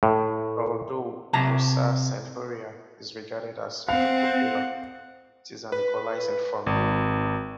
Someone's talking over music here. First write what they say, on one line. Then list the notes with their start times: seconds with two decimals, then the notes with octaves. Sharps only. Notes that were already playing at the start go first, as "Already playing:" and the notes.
Although "Vossa Senhoria" is regarded as protocolar, it is an equalizing form.
0.03 A2
1.33 C3 A5 A#5
3.89 C4 F5 F#5
5.72 B4
6.66 G#1